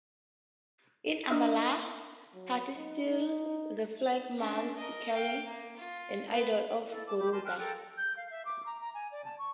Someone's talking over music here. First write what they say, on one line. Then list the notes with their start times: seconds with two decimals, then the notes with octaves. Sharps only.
In Ambala Pathi still the flag mast carries an idol of Garuda.
1.30 D4 A#4 D#5 E5
2.34 F#3
2.75 D#4
3.10 D#4
4.38 C#4 D4
4.77 A#4 D#5
5.13 F5 G5
5.45 A#3
5.77 F4
6.28 B3 B4
6.89 E4 A4
7.06 A5 D6
7.18 G4 B5 D6 G6
7.32 A#4 G#5 A5 C6
7.44 G5 G#5 F6 F#6
7.59 A4 A#4 G5
7.98 G6
8.17 F5
8.31 E5
8.45 D6
8.66 A#5
8.81 A#5
8.94 G#5
9.12 D5
9.25 A5
9.39 C#6